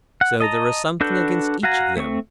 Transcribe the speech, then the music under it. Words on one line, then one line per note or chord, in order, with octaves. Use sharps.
So there was something against each of them.
F#5
D#5 A5 A#5
D4 F#4 A4 B4 G6
F#4 F5 F#5 G#5 A#5
A3 C4 C#6